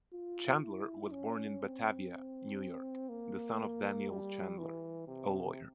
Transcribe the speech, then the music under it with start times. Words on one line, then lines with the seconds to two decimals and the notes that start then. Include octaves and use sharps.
Chandler was born in Batavia, New York, the son of Daniel Chandler, a lawyer.
0.13 F4
0.63 E4
1.12 C#4
1.61 C4
3.09 A#3
4.09 G3
4.58 E3
5.08 C3